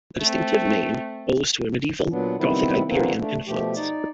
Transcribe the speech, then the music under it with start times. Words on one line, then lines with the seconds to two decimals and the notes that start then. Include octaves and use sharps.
The distinctive name owes to a medieval Gothic-Iberian influence.
0.19 A3 C4
2.11 A#2 F#3 B3 D4
2.38 C3 D#3 G3 B3 C4 E4
2.87 D3 E3 A#3 C4
3.20 A3 D4
3.47 B2 F3 A3 G4
3.76 D#4 D5